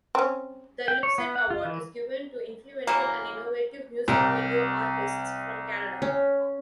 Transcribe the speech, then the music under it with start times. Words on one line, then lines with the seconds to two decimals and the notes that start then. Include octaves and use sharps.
The Lipsett Award is given to influential and innovative music video artists from Canada.
0.15 C4 C#4
0.88 G5
1.03 C#5
1.18 B3
1.36 F#5
1.50 F4
1.65 E3
2.87 C#3 E3 F#3 A#3
4.08 C2 G4 A#4
6.02 C#4